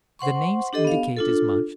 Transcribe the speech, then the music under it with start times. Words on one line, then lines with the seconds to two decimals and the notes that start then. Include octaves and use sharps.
The names indicate as much.
0.19 C5 F#5 C6 C#6
0.73 D4 G4 A4 D#5
0.85 B3 F5
1.16 D4 F4 A4